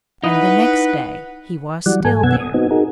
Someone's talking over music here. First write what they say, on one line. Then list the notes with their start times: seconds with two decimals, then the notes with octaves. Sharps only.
And the next day he was still there.
0.24 D#4 E4 B4 F#5 D#6
1.86 E3 F#3 G3 D5 F#5
2.05 G#2 A4 G#5
2.23 F#2 B2 B3 F#5 E6 G#6
2.40 D#6
2.54 B3 C4 D#4 F#4
2.71 D#4 F#4 G#4 A#4